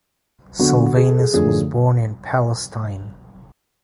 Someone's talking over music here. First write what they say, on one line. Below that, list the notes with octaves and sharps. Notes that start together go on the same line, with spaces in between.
Silvanus was born in Palestine.
D3 F#3 B3 D4 F#4
G#4
A4
G#4
F#2 D3 F3 A3 D4 G#4